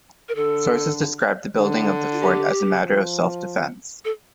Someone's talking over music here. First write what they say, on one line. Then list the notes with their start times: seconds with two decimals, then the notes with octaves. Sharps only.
Sources describe the building of the fort as a matter of self-defence.
0.29 A#4
0.35 D3 A4
1.59 D3
2.13 F4
2.20 G4
2.82 F3
4.05 A4